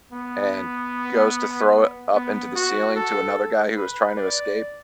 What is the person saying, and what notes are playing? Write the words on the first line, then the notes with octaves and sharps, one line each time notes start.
and goes to throw it up into the ceiling to another guy who was trying to escape,
B3
B3
F#4
A4
B4
D5